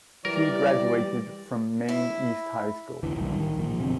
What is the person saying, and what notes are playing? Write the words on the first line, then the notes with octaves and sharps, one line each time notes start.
She graduated from Maine East High School.
E3 G3 A#4 D5
E4
E2 D3 E3
B1 A2 D#3 G3
D#3
A#2 F3
F#1 B2 D3 C4